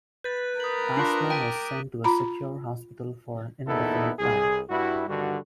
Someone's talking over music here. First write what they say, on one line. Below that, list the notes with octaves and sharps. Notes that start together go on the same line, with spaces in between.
Ashman was sent to a secure hospital for an indefinite time.
B4 G6 A6
A#4 D#6 F#7
D4 F4 D6 F#6 F#7
G5 B6 D7 D#7
F4 A#5 B5
E2 A#2 B3 D#4 E4 A4
C2 G#4
G2 E4 F#4
G2 D3 D#3 G3 F#4